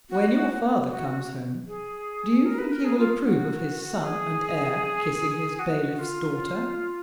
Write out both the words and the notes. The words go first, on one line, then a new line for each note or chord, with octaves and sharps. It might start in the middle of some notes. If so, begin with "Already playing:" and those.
"When your father comes home, do you think he will approve of his son and heir kissing his bailiff's daughter?"
F#4
F#4
F#4
G#4
A#4
B4
A#4
G#4
F4
F#4
G#4
F#4
F4